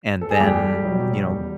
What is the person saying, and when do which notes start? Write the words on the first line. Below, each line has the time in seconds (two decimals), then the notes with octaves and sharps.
and then, you know,
0.21 A4
0.31 G#4
0.40 E2 G3 G4
0.83 B2 F#3
1.26 E2